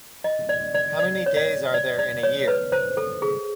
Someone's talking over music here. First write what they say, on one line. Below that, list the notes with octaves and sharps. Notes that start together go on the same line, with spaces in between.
How many days are there in a year?
D#5
D5
D5
D5
C#5
D5
D5
D5
C#5
B4
C5
A4
G#4